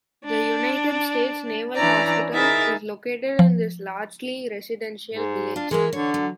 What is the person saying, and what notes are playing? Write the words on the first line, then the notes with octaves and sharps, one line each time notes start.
The United States Naval Hospital is located in this largely residential village.
D4
E3 C#4 D4 E4 D5 A#5
D#4 E4 G#4 A#4 E5 A6
F3
G#2
D4 F4
E3 G#3 A#4 E5
D3 C#5
F#3